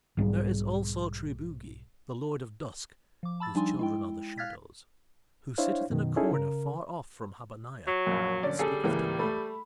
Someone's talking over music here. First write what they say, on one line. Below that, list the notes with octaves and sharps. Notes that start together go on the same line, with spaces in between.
There is also Triboogie, the Lord of Dusk, whose children are the shadows, who sitteth in a corner far off from Habaniah and speaketh to none.
B1 G#2 G3
F3 D6
A5 B5 E6 A6
F3 G3 D4 D#4 G#5 C6
G#3 E4 G5
F5 F6 F#6 G#6 A6 B6
D4 E4 C5 C#5 F5
F#2 B2 D#3
C#4 D#4 E4 G#4 A4
C#3 A#4
F#3
A#1 F#2
D3 C#4 D5
G3 G#4 A4
C#2 E3 A#3
A3 B5